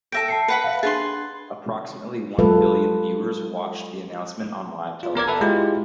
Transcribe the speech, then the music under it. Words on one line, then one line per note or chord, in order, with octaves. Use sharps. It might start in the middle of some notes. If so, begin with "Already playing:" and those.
Approximately one billion viewers watched the announcement on live television.
A4 E5 G5 A#6 D7
A5 C7 C#7
B4 F#5 B5
E5 F5
D4 G#4 B4 C6 A6
F#3 G#3 F4 A4 B4 F5
F4
B3 A#4 D5 G#6
A4 B4 E5
G#3 E4 F4 G4